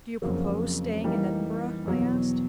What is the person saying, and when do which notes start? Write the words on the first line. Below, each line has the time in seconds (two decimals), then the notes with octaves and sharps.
"Do you propose staying in Edinburgh?" I asked.
0.22 F2 C#3 F#3 A#3
1.04 E3 G3 A#3 D#4
1.86 E2 B2 F#3